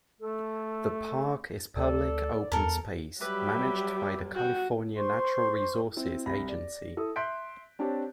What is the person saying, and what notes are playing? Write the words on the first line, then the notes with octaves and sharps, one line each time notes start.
The park is public open space, managed by the California Natural Resources Agency.
A3 A4
D2 A4 D5
E2 A4 A#4
F#3 G3 G4 B4 E5
F#4 G5
C5 C6 C#6
C4 E4
C2 B5 A#6
D5
E4 A4 D#6
E5 C6 F#6 G6 B6 D7
C4 D4 G4 C#5 A5